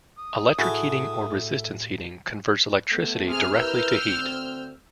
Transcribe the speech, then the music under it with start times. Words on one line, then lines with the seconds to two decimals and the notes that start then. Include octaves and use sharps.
Electric heating or resistance heating converts electricity directly to heat.
0.18 D#6
0.59 A2 A3 E4 F#4 G#4 A4
2.91 A3 B3
3.26 C3 G#4 F6
3.55 E4 A#4 B4 E6 F6 G6
4.05 D2 C4